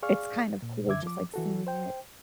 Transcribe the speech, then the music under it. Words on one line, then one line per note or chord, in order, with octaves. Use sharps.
it's kind of cool just, like, seeing it
G#4 D5 F5 C#6 F6
A#2
F#2 D3 E5 D6 G#6
F3 D6
E3 F#4 A4
C5 G5